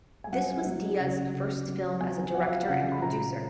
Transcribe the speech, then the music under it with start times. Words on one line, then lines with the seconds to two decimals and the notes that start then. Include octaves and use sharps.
This was Deeyah's first film as a director and producer.
0.24 G#5
0.33 F#3 F#5
0.66 F#3
0.99 C#3
1.34 C#3
1.68 F#3
2.01 F#3 G#5
2.35 F3 F#5
2.45 F5
2.57 F#5
2.68 C#3 F#5
2.92 B5
3.02 A#2 A#5